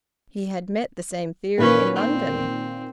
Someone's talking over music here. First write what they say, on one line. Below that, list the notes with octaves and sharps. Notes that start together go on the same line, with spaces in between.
He had met the same theory in London.
A#2 D#3 A#3 C#4 B4
C4